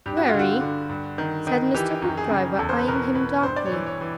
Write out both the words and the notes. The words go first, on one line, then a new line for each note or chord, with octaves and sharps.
"Very," said Mr. Hoopdriver, eyeing him darkly.
G2 G4
F#4
F4
D3
F#4
D3
G2
D#3
D#3
E3 G4
F#2
G#4
C#3
E2 A4
C5
B4
B2 A#4
B2 B4
G2 C5
D5
C#5
E3
C#5
E3